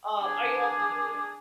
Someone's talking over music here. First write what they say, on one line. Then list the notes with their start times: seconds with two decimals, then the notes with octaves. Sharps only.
Um, are you also doing
0.23 D4 G#4 D6